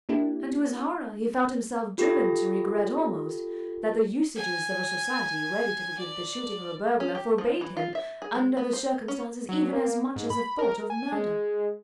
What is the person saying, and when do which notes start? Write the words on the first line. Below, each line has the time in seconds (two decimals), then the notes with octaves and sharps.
And to his horror he felt himself driven to regret almost that the usages of a society ready to forgive the shooting of a burglar forbade him, under the circumstances, even as much as a thought of murder.
0.09 A#3 D4 E4 G4
1.98 F4 G4 A4 A#6
4.36 G#5
5.99 D5
7.00 C#4
7.15 G4
7.38 F3
7.61 E3
7.77 F4
7.95 E5
8.22 G#4
8.35 G#3
8.57 B3
8.73 C5
9.08 C#4
9.49 F#3
9.73 A#3
10.16 G#2
10.30 B5
10.59 A#4
10.90 G#5
11.12 G#3